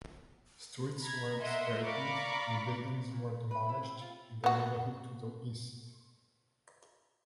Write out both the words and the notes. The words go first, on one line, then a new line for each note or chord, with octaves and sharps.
Streets were straightened and buildings demolished in the neighborhood to the east.
A#5 B5 G#6
A#4 D#5 E5 F#5 C6
D5 F5 A#5 B5 C#6 D6
A#2
B4
E4
C4
F4
B3 F#4